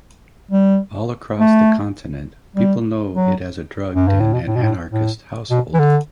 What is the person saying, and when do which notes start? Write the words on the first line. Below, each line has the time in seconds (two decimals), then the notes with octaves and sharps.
All across the continent, people know it as a drug den and anarchist household.
0.51 G3
1.39 A3
2.56 G3
3.15 F#3
3.94 F#2
4.08 G2
4.20 A2
4.33 B2
4.47 A2
4.55 B2
4.63 A2
4.92 A2
5.51 B2
5.74 E3
5.79 D3